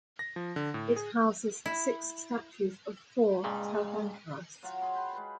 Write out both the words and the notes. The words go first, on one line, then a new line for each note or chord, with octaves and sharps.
It houses six statues of four tirthankaras.
A#6
F3
D3
A2
G#4
E4
G2 A#2 C#3 G#3
F#3 F4 F#5
G#4 C6
G5 B5
G#3 B4